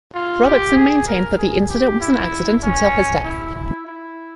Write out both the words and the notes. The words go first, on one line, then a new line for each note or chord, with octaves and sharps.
Robertson maintained that the incident was an accident until his death.
F4
G4
G#4
A#4
G#4
G4
E4
C#4
E4
E4
E4